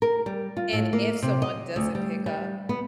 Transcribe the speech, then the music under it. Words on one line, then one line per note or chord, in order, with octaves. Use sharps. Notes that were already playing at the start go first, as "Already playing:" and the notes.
And if someone doesn't pick up,
A#4
G3
F4
A2
A#3
C3
D#5
D2
G3
G3
B3